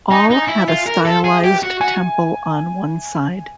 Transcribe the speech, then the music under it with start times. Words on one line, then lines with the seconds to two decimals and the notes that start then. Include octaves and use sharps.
All had a stylised temple on one side.
0.11 D#4 G#5
0.31 D#4
0.49 E4
0.68 F4 E5
0.87 A#4
1.05 A4
1.24 G#4
1.43 G4
1.63 F#4
1.81 F#4 G#5